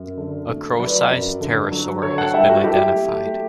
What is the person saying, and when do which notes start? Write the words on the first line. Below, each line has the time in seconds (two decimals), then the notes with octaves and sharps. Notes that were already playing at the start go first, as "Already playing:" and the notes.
A crow-sized pterosaur has been identified.
Already playing: F#2
0.18 D3
0.49 A3
0.79 F#3 B4 D5
1.10 F#2
1.40 D3
1.72 F#3
2.02 D3 A4 C#5
2.18 F#5 A5
2.33 G3 E5 G5
2.49 F#4 A4
2.64 F#3 E4 G4
2.95 A3
3.26 A3